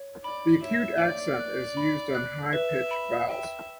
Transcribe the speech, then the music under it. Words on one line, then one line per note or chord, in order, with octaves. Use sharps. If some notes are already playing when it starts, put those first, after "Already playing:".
The acute accent is used on high-pitch vowels.
Already playing: C#5
D5 B5
C#5 E5
C#5 D5
F#6
B5
F#6
B4 E5
B5
E5 G5